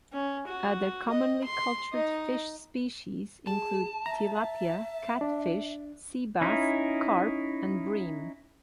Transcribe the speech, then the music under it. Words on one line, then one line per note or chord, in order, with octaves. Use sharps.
Other commonly cultured fish species include: tilapia, catfish, sea bass, carp and bream.
C#4
F#4
D#5
C6
D#4 D#5
G#4 A5
E5 A#5
D4
C#4 D#4 E4